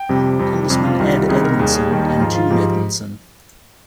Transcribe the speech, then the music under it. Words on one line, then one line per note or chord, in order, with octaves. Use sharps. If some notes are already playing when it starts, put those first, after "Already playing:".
Congressman Ed Edmondson and June Edmondson.
Already playing: G5
F2 C3 G3
F2 C3 G3
F2 C3 G3
F4
C2 C3 D#3 G3 F4
F4
C2 C3 D#3 G3 G#4
A#4
D#2 D#3 G3 G#4
G#4
D#2 D#3 G3
D#4
G#2 F3 F4
F4
G#2 F3 G4